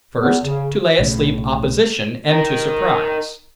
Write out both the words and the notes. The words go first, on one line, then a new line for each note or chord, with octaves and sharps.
First, to lay asleep opposition, and to surprise.
E2
C#3
B1 A2 C#3
D#4 A#4